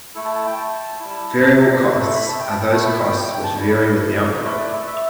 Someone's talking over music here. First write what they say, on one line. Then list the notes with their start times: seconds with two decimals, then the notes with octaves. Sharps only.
Variable costs are those costs which vary with the output.
0.15 A3 E4 A4
0.25 A5
0.36 A5
0.47 G5
0.58 A5
1.00 G3 E4
1.43 A5
1.53 E5
1.64 D5
1.76 B4
1.86 A3 E4 A4
2.00 A4
2.15 B5
2.29 A5
2.40 G5
2.50 A5
2.61 G5
2.72 A3 E4 A5
2.86 B5
3.01 G5
3.15 G5
3.30 G5
3.44 A5
3.57 G3 E4
4.43 A3 E4 B4
4.58 D5
4.71 E5
4.87 E5